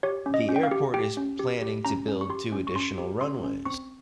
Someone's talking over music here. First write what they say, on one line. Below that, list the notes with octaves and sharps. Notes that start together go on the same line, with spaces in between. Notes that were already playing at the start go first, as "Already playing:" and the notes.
The airport is planning to build two additional runways.
G4 C#5
C#4
D#5
C#4
G5
F5
G4
G4 G5
C#4
G4
G4
C#4 A#5
C#4
C#6
G4 C6
C#4
C#6
C#4 C6
G4
C#4 C6
C#4
C4 C#6